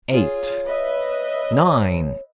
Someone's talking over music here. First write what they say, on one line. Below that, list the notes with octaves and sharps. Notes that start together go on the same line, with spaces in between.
Eight, nine!
F4 G#4 C#5
B4 D#5 E5